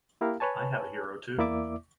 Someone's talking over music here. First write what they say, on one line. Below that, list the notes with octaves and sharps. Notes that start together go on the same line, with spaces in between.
I have a hero too.
A#3 E4 G4 A#4 F5
B4 C#5 G#5 A5
E2 A#3 E4 D5 E5 D6